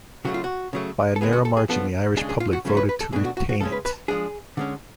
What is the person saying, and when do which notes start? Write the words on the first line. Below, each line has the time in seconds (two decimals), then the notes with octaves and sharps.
By a narrow margin, the Irish public voted to retain it.
0.25 C#3 F#3 A3 F#4
0.34 F4
0.44 F#4
0.73 C#3 F#3 A3
1.16 A4
1.21 D3 G#3 B3 G#4
1.33 F#4
1.45 A4
1.57 G#4
1.69 F3 B3 D4 A4
2.17 C#3 G#3 D4 G#4
2.29 G#4
2.40 F4
2.53 F#4
2.65 C#3 F#3 A3 C#4
2.77 B4
2.89 B4
3.01 A4
3.12 B2 A3 D4 G#4
3.25 F#4
3.37 F#4
3.49 F#4
3.61 C#3 G#3 C#4 A4
3.72 B4
3.85 B4
4.08 F3 G#3 D4 G#4
4.57 D3 G#3 C#4